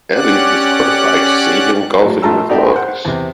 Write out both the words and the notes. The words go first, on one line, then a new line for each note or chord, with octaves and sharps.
Ellie is horrified to see him golfing with Marcus.
C#4 G4 D5 F#5 F#6
A2 F#3
A#1 A3 F4 A5 A#5 E6
D#4 F#4 A4 D5 E5 G5
C5 F#5
E2 C3